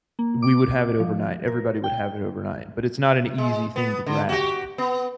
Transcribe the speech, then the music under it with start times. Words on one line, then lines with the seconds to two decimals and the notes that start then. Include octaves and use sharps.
we would have it overnight, everybody would have it overnight, but it's not an easy thing to grasp,
0.19 A#3
0.42 D6
1.00 F3
1.47 A#4
1.84 G5
3.38 G#3
3.76 B3
4.06 D3
4.29 F#4 G4
4.78 B3